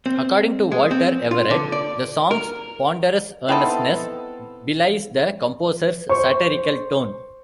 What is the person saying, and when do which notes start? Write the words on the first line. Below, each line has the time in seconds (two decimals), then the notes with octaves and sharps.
According to Walter Everett, the song's ponderous earnestness ... belies the composer's satirical tone.
0.06 C4
0.72 G#3
0.91 C4
1.31 F4
1.51 D3
1.72 D5
2.31 A#4
3.49 B3 C4 D#4 E4 A4
6.09 C5 C#6